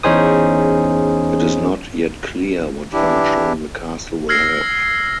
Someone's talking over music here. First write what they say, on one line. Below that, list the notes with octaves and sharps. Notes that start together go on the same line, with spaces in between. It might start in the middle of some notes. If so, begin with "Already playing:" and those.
It is not yet clear what function the castle will have.
E2 C#4 D#4 G#4 C5 D#6
E3 D4 E4 G4
E6 F6 G#6 A#6 C7